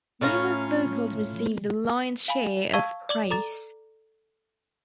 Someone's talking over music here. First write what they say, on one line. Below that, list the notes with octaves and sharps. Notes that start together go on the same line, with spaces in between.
Wheeler's vocals received the lion's share of praise.
A2 C#4 F4 A#5
F5 G#5 B5
F5 A5 C#6 E6 G#6
D5 D6 F#7
A4 A#5 D6 A6